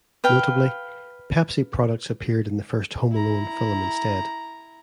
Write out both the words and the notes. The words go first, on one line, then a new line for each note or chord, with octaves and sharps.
Notably, Pepsi products appeared in the first "Home Alone" film instead.
B4 F5 G5
E4 A#5